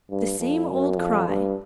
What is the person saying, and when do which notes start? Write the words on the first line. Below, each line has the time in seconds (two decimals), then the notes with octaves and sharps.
The same old cry.
0.11 G2
0.39 F2
0.69 F#2
0.98 F2
1.28 G2